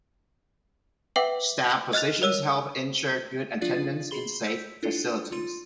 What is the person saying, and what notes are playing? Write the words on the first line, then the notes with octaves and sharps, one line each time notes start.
Staff positions help ensure good attendance in safe facilities.
B4 E5 F#5 G5 D6
D#5 F6 F#6 A6 F7
A#4 C#5 E6 D#7
F3 D4 F4 D5 F5 A6
G#4 B5 C6 G7
E6 G6 B6
D4 E4 F4 A4
F4 C6